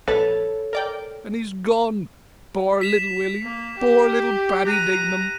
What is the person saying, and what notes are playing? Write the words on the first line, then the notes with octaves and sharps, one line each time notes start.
And he's gone, poor little Willy, poor little Paddy Dignam.
A#1 A4 B4 C#5 A5
A#4 D5 G5
B6 E7 F7
A#3
G4
A#5 F#6 D#7